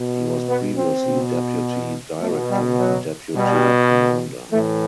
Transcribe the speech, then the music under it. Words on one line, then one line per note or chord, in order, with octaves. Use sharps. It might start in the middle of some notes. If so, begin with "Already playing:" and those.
He was previously deputy director and deputy commander.
Already playing: B2
B3
C4
B2
B2 A3
G3
F#3
B2 G3
A2 E3 A3